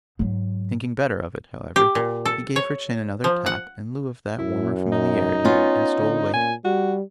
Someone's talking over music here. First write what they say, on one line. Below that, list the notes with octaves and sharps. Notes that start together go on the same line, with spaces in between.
Thinking better of it, however, he gave her chin another tap, in lieu of that warmer familiarity, and stole away to bed.
G#2 F#3
G4
A#2
A4
C#5
F3
F#5
F#2 E4
D#4
B3 C#4 F4
D3
A#2 G#5
G3 F#4